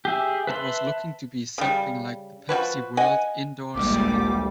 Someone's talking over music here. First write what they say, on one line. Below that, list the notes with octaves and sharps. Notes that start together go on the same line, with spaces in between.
It was looking to be something like The Pepsi World Indoor Soccer League.
G4 G#4 E5
B4 E5 A5 B5 C6
C#3 G3
F3 G3 F#4 B4
D#5 F#5 G#5
A1 D2 A#2 G3 G#3 A#3 D6